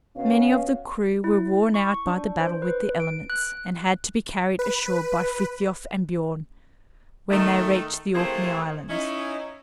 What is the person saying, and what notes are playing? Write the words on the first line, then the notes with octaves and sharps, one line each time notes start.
But many of the crew were worn out by the battle with the elements and had to be carried ashore by Frithiof and Bjoern when they reached the Orkney Islands.
B2 C#4 F5
E4
C#6
D4
C5
B4
D7
F#6
B4
D#3 A3
C3 A3 A#3 C4 E4 G#4
C#4 D#4 E4